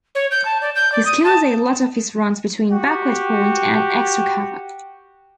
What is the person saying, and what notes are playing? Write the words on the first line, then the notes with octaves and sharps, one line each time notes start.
He scores a lot of his runs between backward point and extra cover.
C#5
G6
A5
D5
G6
D5
D#6
A5
F#4 G4